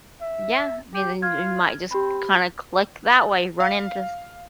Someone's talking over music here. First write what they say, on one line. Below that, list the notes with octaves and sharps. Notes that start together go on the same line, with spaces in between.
Yeah. I mean, then y you might just kinda click that way, run into s
E5
G4
F4 F6 G#6
C4 G4 C5 B5
F5